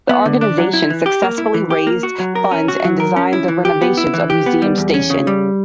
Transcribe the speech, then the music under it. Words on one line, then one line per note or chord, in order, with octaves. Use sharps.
The organization successfully raised funds and designed the renovations of Museum Station.
B3
D3
D4
F#3
E4
E3
G4
A#3
E4
E3
G4
A#3
F#4
F#3
A#4
C#4
F#4
F#3
A#4
C#4
E4
E3
G4
B3
E4
E3
G4
B3
G3
E2
C#4
C#3
G3